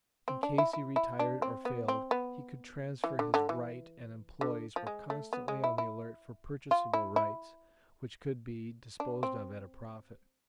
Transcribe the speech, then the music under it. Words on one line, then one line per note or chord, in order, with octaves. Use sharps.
In case he retired or failed, he could transfer his 'right,' and employees were constantly on the alert for purchasable rights, which could be disposed of at a profit.
C4
D4
E4
E4
E4
D4
C4
B3
C4
B3
E3
D3
D3
E3
D3
F3
G#3
A3
B3
G#3
E4
E4
F4
E4
E4
D4
C4